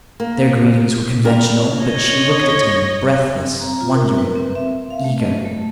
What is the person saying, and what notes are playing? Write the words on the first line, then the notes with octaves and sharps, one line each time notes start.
Their greetings were conventional, but she looked at him, breathless, wondering, eager.
A#3
G3 A#4
C#5 D#5
C4
A#5
F4
A#4
B4
C4
E5
F5
A3
D#5
A3